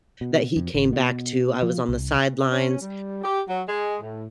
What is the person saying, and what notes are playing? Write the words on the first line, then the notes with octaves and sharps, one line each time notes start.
that he came back to- I was on the sidelines-
B2
F2
G#1
B2
F3
C2
C#4
G3
G4
F#3
G#3
A2